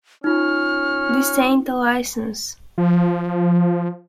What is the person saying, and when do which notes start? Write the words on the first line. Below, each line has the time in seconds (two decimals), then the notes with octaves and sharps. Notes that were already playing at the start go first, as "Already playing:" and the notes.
This ain't a licence.
0.24 C#4 D#4 F4 F6
2.78 F3